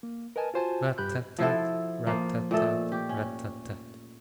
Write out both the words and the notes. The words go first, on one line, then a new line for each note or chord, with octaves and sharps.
'RAT--tat-tat, RAT--tat-tat, RAT--tat-tat.'
A#3
A#4 B4 D#5 G#5 A5
F4 F#4 C5 G#5 A5
G2 G4 B5 F#6 G6
F3 E4 F#4 A4
F3 A#3
A#2 A3 A4 D#5
G4
C#4